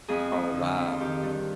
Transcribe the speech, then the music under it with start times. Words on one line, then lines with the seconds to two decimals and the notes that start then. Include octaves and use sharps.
Oh, wow.
0.09 F2 G#4
0.32 F2
0.54 D3
0.77 F2
0.94 F4
1.00 D#3 G4
1.23 G2